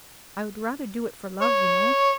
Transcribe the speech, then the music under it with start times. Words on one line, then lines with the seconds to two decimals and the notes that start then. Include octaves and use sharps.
"I would rather do it for love, you know."
1.42 C#5